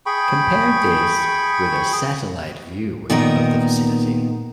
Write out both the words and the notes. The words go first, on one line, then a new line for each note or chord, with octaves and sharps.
Compare this with a satellite view of the vicinity.
G#4 G5 B5 C#6
A#2 D#3 B3 D#4 A#4